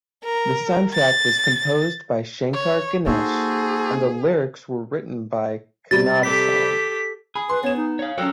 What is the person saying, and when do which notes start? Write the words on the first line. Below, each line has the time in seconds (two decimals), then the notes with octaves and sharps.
The soundtrack was composed by Shankar–Ganesh and the lyrics were written by Kannadasan.
0.24 A#4
0.94 A6
2.53 C#5
3.06 A#3 D#4 F#4 G#4 A4 C5
5.91 C3 G3 A6
6.23 G4 A4 B6
7.35 G#4 B5
7.49 B4 C6
7.63 B3 C#5 E7
7.76 D#4
7.99 C#5 F5
8.18 F#3 C#4 F#4 A4 A#4 G5